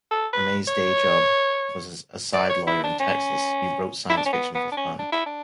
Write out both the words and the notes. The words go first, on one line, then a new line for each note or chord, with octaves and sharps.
Ramey's "day-job" was as a lawyer in Texas; he wrote science fiction for fun.
A4
B4
C#5
D5
C#5
E4
D4
C#4
E4
D4
C#4
B3
B3
D4
C#4
D4
E4
D4